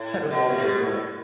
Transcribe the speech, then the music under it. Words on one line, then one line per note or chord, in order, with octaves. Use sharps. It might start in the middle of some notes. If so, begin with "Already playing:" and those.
I don't know what they're doing,
Already playing: A2
B2
C3
A2
B2
A2